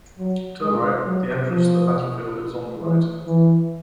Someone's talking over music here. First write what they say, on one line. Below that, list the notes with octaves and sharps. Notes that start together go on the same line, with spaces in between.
Turn right; the entrance to the battlefield is on the right.
F#3
G#3
F#3
F3
E3
E3